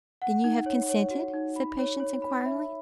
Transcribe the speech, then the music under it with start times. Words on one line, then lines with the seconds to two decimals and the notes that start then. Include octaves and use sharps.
"Then you have consented?" said Patience, inquiringly.
0.22 F#5
0.44 D#4
0.66 C#5
0.89 C#5
1.11 F#4
1.34 D#4
1.56 B5
1.79 C#5
2.00 C#5
2.22 B5
2.45 E5